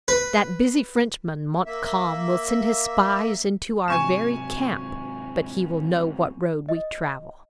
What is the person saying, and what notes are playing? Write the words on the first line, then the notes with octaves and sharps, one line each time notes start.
"That busy Frenchman, Montcalm, will send his spies into our very camp, but he will know what road we travel!"
B4
A#3 E5
G#2 C3 F#3 G#5 C#6 E7
D#5